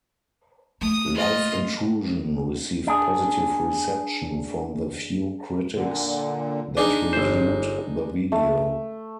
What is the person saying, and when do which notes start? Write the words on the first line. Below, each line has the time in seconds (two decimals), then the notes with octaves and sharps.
"Live Intrusion" received positive reception from the few critics that reviewed the video.
0.81 A3 D#6
1.15 F4 D#5
2.87 D4 G#4
5.75 A#2 D3
6.77 D4 D#4 G#4
7.13 G1 C5
8.32 A3